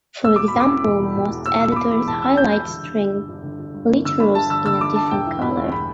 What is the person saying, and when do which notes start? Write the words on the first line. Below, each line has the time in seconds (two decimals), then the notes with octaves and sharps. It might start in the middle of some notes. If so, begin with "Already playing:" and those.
For example, most editors highlight string literals in a different color.
0.24 E1 E6
0.36 B2 D6
0.48 B5
0.54 E1
0.60 D6
0.70 E2
0.86 E1
1.00 B2
1.15 E1
1.30 E2
1.46 E1 E6
1.61 B2 E6
1.72 B5
1.76 E1 D6
1.92 E2 B5
2.07 E1 A5
2.22 B2 E6
2.37 E1 G6
2.53 E2 G6
2.68 G1
2.83 D3
2.98 G1
3.13 G2
3.29 G1
3.43 D3
3.59 G1
3.74 G2
3.89 G1
4.05 D3 E6
4.20 G1 B5
4.35 G2 A5
4.50 G1 E6
4.66 D3 E6
4.81 G1 D6
4.96 G2 A5
5.11 E1 G5
5.26 E3
5.42 E1 B5
5.57 E2
5.72 B5